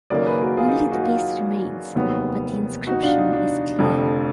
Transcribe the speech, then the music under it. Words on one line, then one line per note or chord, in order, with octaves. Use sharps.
Only the base remains but the inscription is clear.
F#1 F#2 D#3 A#3 A#4 D5
G#4 B4
F#4 A#4
F4 G#4
D#4
D#4
D#4 F#4
F4 G#4
F1 D#2 D#3 F#3 B3
D#4 F#4
D4 F4
D#4
D4
F1 F2 D3 F3